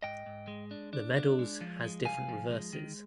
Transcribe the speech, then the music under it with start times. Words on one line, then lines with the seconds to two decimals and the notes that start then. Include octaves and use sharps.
The medals has different reverses.
0.02 G#2 D#5 G5
0.26 G#2
0.48 G#3
0.71 D4
0.93 D4
1.16 D4
1.39 G#3
1.61 F3
1.84 G#3
2.05 C2 F5 G#5
2.29 F3
2.50 G#3
2.73 D#3